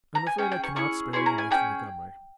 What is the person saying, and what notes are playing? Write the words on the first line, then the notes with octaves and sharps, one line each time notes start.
"I am afraid I cannot spare you, Mr. Montgomery."
A#5
G#5
C#4 E4 G#4 G5
G5
C#6
C#4 E4 G#4 C#6
C#4 E4 G#4 C6
A#5
G#5
C#4 E4 G#4 G5